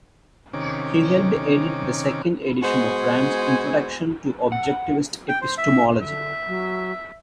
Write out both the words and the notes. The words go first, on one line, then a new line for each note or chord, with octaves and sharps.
He helped edit the second edition of Rand's "Introduction to Objectivist Epistemology".
C3 D#3 C#4 D6
G#3 B3 F#4 C5 G#5
F#5
G5
C5
E5
D3 E5
F#3